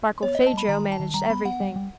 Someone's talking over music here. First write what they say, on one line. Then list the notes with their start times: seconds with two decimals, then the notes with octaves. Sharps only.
Barkilphedro managed everything.
0.23 B3 C#5
0.35 B3 D#5
0.47 A5
0.53 G3 B5
0.68 D#3 A#5
0.84 G3
0.92 A5
1.00 D#3
1.14 G3 A#5
1.30 B3 B5
1.45 B3 F#5
1.60 G3
1.76 G3